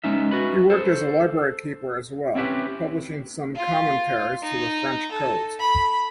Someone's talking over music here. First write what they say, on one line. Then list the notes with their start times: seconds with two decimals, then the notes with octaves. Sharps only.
He worked as a library keeper as well, publishing some commentaries to the French Codes.
0.04 G#3 B3 C#4 D#4 E5
0.31 F#4 B4 B5
0.70 A4 C5
2.35 C4 C#4 E4 G4 B4
3.56 F4
4.43 D#4
5.11 A4
5.59 B5